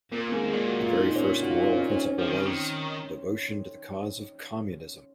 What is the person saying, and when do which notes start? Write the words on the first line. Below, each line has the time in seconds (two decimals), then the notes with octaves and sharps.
The very first moral principle was "Devotion to the cause of communism".
0.12 A#2 A#3
0.28 A#3
0.32 G#2 G#3
0.44 G#3
0.53 A#2 A#3
0.67 F#4
0.81 F4
0.94 D#4
1.06 D#4
1.16 C#4
1.26 D#4
1.36 D#4
1.42 F#4
1.50 F4
1.63 D#4
1.73 C#4
1.77 D#4
1.92 C#4
2.06 C#4
2.19 F3 C4
2.27 D#3
2.37 C#3
2.46 D#3